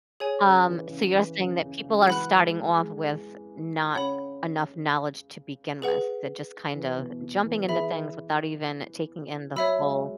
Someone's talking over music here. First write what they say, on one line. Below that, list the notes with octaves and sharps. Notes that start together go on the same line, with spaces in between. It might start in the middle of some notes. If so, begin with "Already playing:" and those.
Um, so you're saying that people are starting off with not enough knowledge to begin with, they're just kind of jumping into things without even taking in the full
G#4 C#5 G#5
C#3
E3
C#3
E3
C#3
C#3
C#3
G#3
F#3
E3 F#5 B5 F#6
G#3
G#3
C#3 C#5 F#5 B5
G#4 B4 F#5
E3
B2
E3
E3 G#4 E5 B5
F#3 C#5 E5 B5 E6
G#3